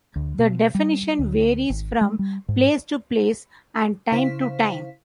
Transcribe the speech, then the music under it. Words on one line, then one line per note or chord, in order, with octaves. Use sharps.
The definition varies from place to place and time to time.
D2
B2
G3
D2
G#1
G#3
G3
G#2
C#3 E4 C5 F5 B6